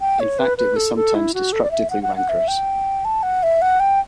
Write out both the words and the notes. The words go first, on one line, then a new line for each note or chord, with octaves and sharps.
In fact it was sometimes destructively rancorous.
G5
C#5
B4
B4
A4
A4
E4
F#4
A4
D5
E5
F#5
F#5
F#5
E5
G5
A5
F#5
E5
F#5
G5